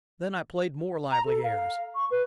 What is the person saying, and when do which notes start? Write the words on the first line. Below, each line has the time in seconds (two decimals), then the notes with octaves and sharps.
Then I played more lively airs.
1.12 A#5
1.26 A4
1.43 F5
1.95 C#6
2.11 B4